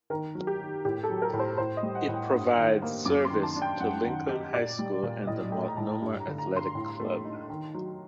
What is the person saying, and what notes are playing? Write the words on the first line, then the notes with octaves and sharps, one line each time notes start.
It provides service to Lincoln High School and the Multnomah Athletic Club.
D#3 A#4
F#3
G4
D#3
A2 G4
A4
F#3
A#4
A2
C5
A2 C5
D#5
G3
F#5
A2
G5
G2 D#6
D#3
A#3
F#2 D6
C6
D#3
A5
D4
G5
F#2 F#5
D#3
D#4 G4
A#2 D5
G3
A#2
A2 D#5
A3 G5
A#5
A2 A5
G2
A#5
D3
A#5
G2
C6
A2
A3
D#4
D#3
F#3